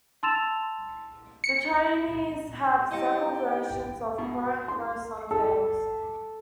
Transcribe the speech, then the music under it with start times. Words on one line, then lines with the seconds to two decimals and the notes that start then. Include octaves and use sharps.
The Chinese have several versions of crow and crow-Sun tales.
0.23 A5 C6 E6 A6 E7 F7
1.44 C#7
2.91 E4 G4 D#5 F5 G5 A5 A#5 C#7
4.18 B2
4.68 C6
5.31 A4